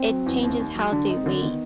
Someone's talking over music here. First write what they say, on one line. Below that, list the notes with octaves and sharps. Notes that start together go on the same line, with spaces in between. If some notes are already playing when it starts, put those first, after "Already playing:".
it changes how they wait,
Already playing: C4
F#3
E2
D#2
D#2
F#3
D3 D4
D#4
C4
D3
D#3 B3